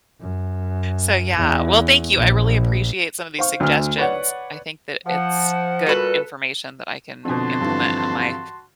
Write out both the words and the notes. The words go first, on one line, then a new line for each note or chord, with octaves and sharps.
So, yeah. Well, thank you. I really appreciate some of these suggestions. I think that it's good information that I can implement in my
F#2
E2
A#1
C5 F5 C#6
D2 F6
B4 C#5 D5 F#5
F3 F#5
A#2 G3 F#4 A4 B4
F2 B2 D3 F#4 A5 C6
G2 D3 E3